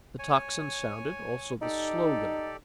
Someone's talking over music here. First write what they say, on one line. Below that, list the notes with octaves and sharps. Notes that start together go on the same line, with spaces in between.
The tocsin sounded, also the slogan.
C#5 G#5
D#4 G4 A4 D5